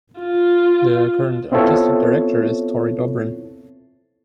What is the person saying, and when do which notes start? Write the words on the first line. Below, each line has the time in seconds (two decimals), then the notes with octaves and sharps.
The current artistic director is Tory Dobrin.
0.20 F4
1.52 B3 C4 E4 F4 A4 C#5